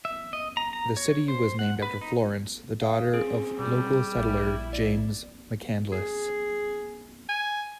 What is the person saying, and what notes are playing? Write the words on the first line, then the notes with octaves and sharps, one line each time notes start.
The city was named after Florence, the daughter of local settler James McCandless.
E5
D#5
A#5
A#5
C#5
C5
F#5
B4
D#4
F5 D#6
C4 C#4 G#4
B2 G3
A#1 E4 E5
D5
G#4
G#5